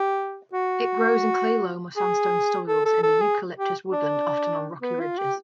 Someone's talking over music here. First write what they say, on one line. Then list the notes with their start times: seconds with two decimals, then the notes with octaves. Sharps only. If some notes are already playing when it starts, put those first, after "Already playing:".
It grows in clay-loam or sandstone soils in "Eucalyptus" woodland, often on rocky ridges.
Already playing: G4
0.53 F#4
1.97 G#4
2.68 A4
2.86 A4
3.03 A4
3.21 G#4
3.58 G4
3.92 D4
4.82 B3
5.00 F4
5.18 G4